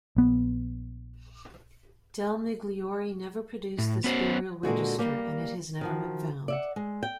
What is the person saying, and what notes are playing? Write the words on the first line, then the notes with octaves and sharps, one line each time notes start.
Del Migliore never produced this burial register, and it has never been found.
A#1 B3
A2
B3 C#4 F#4 C5
A#2 D3 G#3 F#4
G3 A#3 G4
D#3 F3 F#4
D5 E5 F#5
G#3
G5